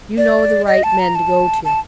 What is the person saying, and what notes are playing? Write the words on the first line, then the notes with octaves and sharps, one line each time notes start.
You know the right men to go to.
D5
D#5
A5
A#5
A5
A5